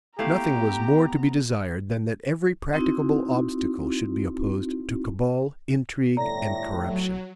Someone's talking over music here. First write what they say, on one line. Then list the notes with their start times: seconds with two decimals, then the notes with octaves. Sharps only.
Nothing was more to be desired than that every practicable obstacle should be opposed to cabal, intrigue, and corruption.
0.19 A3 B3 E4 G4 F5 A#5
2.74 C4 D#4 E4 F#4
6.17 G1 A2 D5 A#5 A#6
6.86 F#3